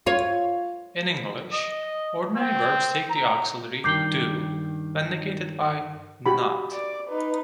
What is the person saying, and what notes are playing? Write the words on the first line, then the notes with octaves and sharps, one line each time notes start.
In English, ordinary verbs take the auxiliary "do" when negated by "not".
F4 C#5
D#5
C4
A#5
G2 D#3 G5 D6 G6 C7
F#4 G4 B5
D5 D6
D#4 B4